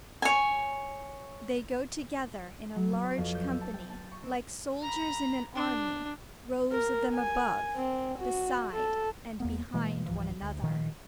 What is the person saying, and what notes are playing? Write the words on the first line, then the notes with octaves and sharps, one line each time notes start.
They go together in a large company, like soldiers in an army, rows of them above, beside, and behind one another.
C#5 G#5
F#3
B3
C#5
F2
G6
E6
A5
G5
A5
C#6
C4
A#5 B5
D4
A#4
G#5
C4
F#4
A4
E2 A#3 B3
B2 E3 G#3 A#3
C#2 G#2 E3 F3
D2
A#2 D#3 F3